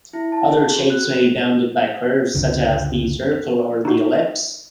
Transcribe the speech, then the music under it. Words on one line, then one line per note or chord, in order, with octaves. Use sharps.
Other shapes may be bounded by curves such as the circle or the ellipse.
E4
A5
G#4
F#4
F#6
C#2 F#2 D3
D#4 F#4